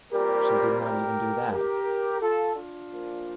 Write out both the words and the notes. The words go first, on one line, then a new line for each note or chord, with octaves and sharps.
She did not even do that!
A#2 G3 C4 G4 A#4
G4 A#4
G4 A#4
F4 A4
D4 F4
A#2 F3 A#3